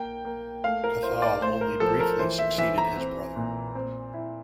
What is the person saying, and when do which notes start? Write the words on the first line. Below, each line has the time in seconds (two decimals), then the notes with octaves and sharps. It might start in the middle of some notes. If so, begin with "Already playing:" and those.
Cathal only briefly succeeded his brother.
Already playing: A#3 G5
0.25 A#3
0.64 A3 F5
0.84 A#4
1.03 E4 C5
1.22 D5
1.42 A2 C5
1.61 A#4
1.80 F3 A4
2.00 A#4
2.19 E3 C5
2.39 E5
2.58 E3 E5
2.78 A#5
2.98 C4
3.36 A#2
3.75 C4
4.14 E4